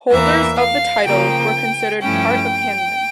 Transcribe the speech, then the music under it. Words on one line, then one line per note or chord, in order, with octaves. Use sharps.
Holders of the title were considered part of Hanlin.
E2 E3 A#3 E5
F5
C#3 F3 A#3 G5
G2 F3 A3 C#4 E4 G5